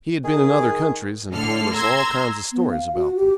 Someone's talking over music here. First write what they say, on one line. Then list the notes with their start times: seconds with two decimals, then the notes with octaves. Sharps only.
He had been in other countries, and told us all kinds of stories about them.
0.24 D#3 G#4
1.32 A2 D3 A4 F6 C7
1.75 A#5 C6 E6 G#6 A#6
2.53 B3
2.71 F5
2.94 F#4
3.16 G4